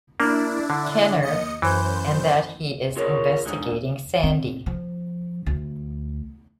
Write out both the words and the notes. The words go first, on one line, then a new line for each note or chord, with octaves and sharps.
Kenner, and that he is investigating Sandy.
A#3 D4 E4
D3
D#2 D#5 C#7
F#2 E3 C5 G6
F4 G#4 A#4 C#5
D3 G#3 D#4
C4
F3
D2